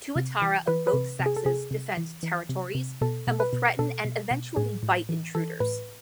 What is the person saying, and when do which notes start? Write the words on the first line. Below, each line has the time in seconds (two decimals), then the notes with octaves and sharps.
Tuatara of both sexes defend territories, and will threaten and eventually bite intruders.
0.16 C3
0.42 E3
0.67 E3 B4
0.87 B4
0.94 C3
1.20 C3
1.26 G#4
1.36 A4
1.45 C3 G#4
1.71 C3
1.97 E3
2.23 E3
2.49 C3
2.75 C3
3.01 B2 A4
3.27 B2
3.40 B4
3.53 B2
3.79 B2 A4
4.05 B2
4.31 B2
4.56 A2 G#4
4.83 A2
5.09 E3
5.35 E3 A4
5.60 A2 B4